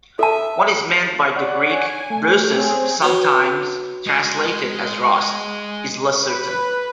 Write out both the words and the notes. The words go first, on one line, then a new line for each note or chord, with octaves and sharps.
What is meant by the Greek, "brosis", sometimes translated as "rust," is less certain.
A4 E5 A5
C#5 D5 F#5
G#5
A3
C4 C#4 G#4
F#3 B3
G#3
B4